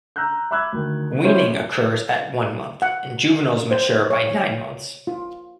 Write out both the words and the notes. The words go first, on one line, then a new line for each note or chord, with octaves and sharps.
Weaning occurs at one month, and juveniles mature by nine months.
A#5 E6 F#6 G6
E5 B5 D6 E6 F#6 G#6
D2 D#3
C#4 E4 C5 C#5
F#5
C5
C#5
F4